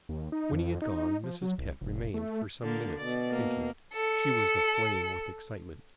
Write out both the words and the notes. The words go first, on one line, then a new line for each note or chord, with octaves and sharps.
When he had gone, Mrs. Pett remained for some minutes, thinking. She was aflame with excitement.
D#2
D#4
F2
D#4
F3
F#3
C2
F1
A3
D3 A#3
B2 D5
A#3
A4 C#7